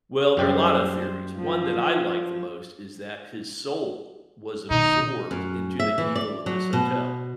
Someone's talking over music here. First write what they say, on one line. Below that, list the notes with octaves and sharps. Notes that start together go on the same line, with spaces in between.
Well, there are a lot of theories. One that I like the most is that his soul was absorbed into the evil of this hotel,
F#2 G3 G4 C5 D5
F3
B2 D#3 D#4
F#2
E5
E3
D5
F#3
B2